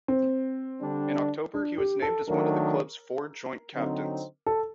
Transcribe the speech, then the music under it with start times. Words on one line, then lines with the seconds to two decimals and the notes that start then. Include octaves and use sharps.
In October, he was named as one of the club's four joint-captains.
0.08 C4
0.81 D3 G3 D4
1.54 D4
1.78 G4
2.02 A4
2.27 D#3 F#3 A3 D4 A#4
3.73 D3 F#3 C4 D#4
4.46 A4